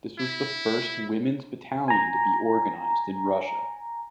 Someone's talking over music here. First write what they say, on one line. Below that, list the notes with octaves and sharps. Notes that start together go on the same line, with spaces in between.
This was the first women's battalion to be organized in Russia.
E4
G#5 A#5